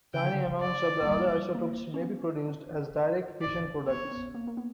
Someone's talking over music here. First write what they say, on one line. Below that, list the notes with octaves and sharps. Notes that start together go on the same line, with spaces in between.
Tiny amounts of the other isotopes may be produced as direct fission products.
C#3 G5
D3
C#3
D5
A#3
G3
A#3
C#4
B3
C#4
D5
B3 C#5
C#4
B3
A#3
A#3
B3